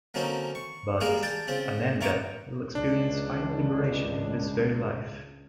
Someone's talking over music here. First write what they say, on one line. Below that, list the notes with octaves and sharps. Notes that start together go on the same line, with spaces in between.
But...Ananda will experience final liberation in this very life.
D3 F#3 A#3 C4 C#4 D#4
C#6
G3 G#3 A#3 G#4 A#4 F5
D4 G5 A5
C#3 C4 F4
A#2 E4 F4 A#5 C#6 D6
C#2 D4